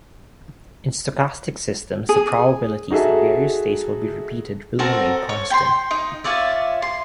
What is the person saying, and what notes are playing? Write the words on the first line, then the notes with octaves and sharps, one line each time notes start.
In stochastic systems, the probabilities that various states will be repeated will remain constant.
G#4
D#4 F#4 G#4 A4 E5
C4 F#4 A4 A#4
C#5
G5 B5 C6
D#4
F4 C#5 D5 E5
C6